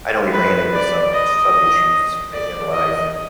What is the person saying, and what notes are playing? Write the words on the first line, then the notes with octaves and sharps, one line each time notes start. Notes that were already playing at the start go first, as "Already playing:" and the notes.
I know he ran into some some issues i in life
B4
D5
D#5
D5
D#5